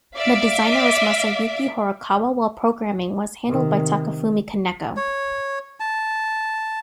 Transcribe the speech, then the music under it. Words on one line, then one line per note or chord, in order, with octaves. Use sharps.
The designer was Masayuki Horikawa, while programming was handled by Takafumi Kaneko.
D5 E5 F5 B6 D7
C3 D#3
C#5
A5